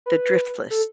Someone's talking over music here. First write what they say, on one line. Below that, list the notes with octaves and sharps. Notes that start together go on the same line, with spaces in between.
the Driftless
B4
A4